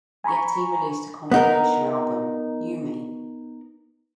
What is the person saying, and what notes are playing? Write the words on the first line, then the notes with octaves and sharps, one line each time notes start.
Yeti released a compilation album, Yume!
G#5 A#5 B5 C#6
B3 D#4 A#4